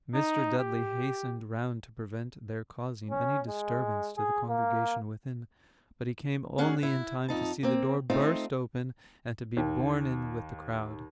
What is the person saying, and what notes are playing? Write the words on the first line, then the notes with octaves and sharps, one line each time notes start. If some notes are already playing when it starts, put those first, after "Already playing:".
Mr. Dudley hastened round to prevent their causing any disturbance to the congregation within; but he came only in time to see the door burst open, and to be borne in with the crowd.
D#4
G4
C#4
G#3
G#4
A#3
D2 C#4 G#4 F#5
E4
F2 D#4 A5
A#3 C4
A3 C4 D#4 F4
D#2